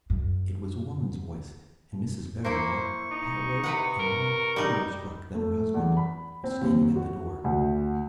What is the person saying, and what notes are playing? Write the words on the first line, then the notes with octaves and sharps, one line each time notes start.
It was a woman's voice, and Mrs. Barrymore, paler and more horror-struck than her husband, was standing at the door.
F#2
A#3 E4 C5 C#6
D#4
C3 B4 F#5
A#4
G3 D#4
A3
E2
B5
C4
D#2
F#4
D2